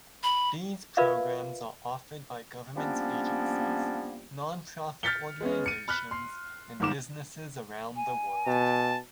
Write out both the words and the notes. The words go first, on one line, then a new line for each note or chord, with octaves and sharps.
These programs are offered by government agencies, nonprofit organizations, and businesses around the world.
B5
F4 A#4 B4 D5 E5 F5
F3 G3 A#3 B3 C#4 D4
F6 G6 A6 B6 C#7 G7
G#3 B3 C#4
C#7 D#7
B5 F6 F#6 B6
C6 C7
G1 G#2 D#3 D6 E7
G#5
B2 A5